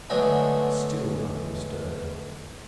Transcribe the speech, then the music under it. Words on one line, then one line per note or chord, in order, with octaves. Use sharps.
Still nothing stirred.
D3 F#3 G#3 A3 B3 D4